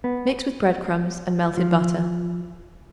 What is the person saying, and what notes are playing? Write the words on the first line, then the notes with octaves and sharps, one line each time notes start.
Mix with bread-crumbs and melted butter.
B3
F3